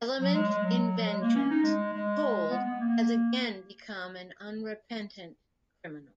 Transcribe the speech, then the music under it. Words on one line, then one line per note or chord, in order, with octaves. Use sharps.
Element in vengeance, Cold has again become an unrepentant criminal.
F#3
G#3
G#3
F#3
F#3
G#3
A#3
C#4
D#4
G#3
G#3
B3
B3
A#3